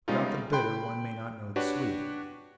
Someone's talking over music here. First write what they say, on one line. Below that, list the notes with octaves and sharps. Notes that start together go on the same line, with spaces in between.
Without the bitter one may not know the sweet.
G3 G#3 B3 C#4 D#4 F4
G5 B5 C6 F#6
D4 F#4 G4 B4 C#5